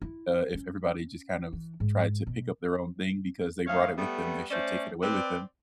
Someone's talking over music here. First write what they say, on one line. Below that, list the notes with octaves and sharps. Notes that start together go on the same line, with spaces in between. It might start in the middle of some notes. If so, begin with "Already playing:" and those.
uh, if everybody, just, kind of, tried to pick up their own thing because they brought it with them, they should take it away with them.
E4
C#4
E3
G#2
B2
D2 C#5 F5
G3 A3 B3
A3 C#4 C5 D5
C4 B4 D5